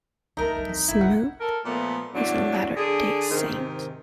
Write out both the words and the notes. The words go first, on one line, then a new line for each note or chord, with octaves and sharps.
Smoot is a Latter-day Saint.
C#2 A3 A#3 D#4 A#4
C#2 G3
E3 C4
G1 C2 E4
F#5
A4 A#4
A#2 F3 A3 B3
E2 A2 F#3 D4
D3 D4 G#4
G#2 C3 D#3